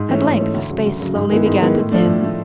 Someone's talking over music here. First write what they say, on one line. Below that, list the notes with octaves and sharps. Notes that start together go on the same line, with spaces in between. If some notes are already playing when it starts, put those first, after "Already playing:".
At length the space slowly began to thin.
Already playing: G#2
E3 A3 C#4
G#2
E3 A3 C#4
D2
C#3 F#3
D2
C#3 F#3
G#2
D#3 G#3 B3 E4
G#2
D#3 G#3 B3 E4
A2
F3 A3 D4
A2
F3 A3 D4